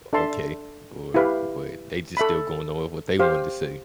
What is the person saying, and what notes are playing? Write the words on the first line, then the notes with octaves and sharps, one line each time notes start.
"Okay, or" but they just still going over what they wanted to say.
D4 A4 E5 A5 C6
E4 G4 B4 F5
A4 E5 B5
G4 C5 F5